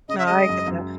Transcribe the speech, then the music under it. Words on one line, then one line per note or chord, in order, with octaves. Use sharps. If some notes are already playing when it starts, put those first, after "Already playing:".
No, I get that.
C#3 D#5
E5
G#3 D#5
F#2
F#2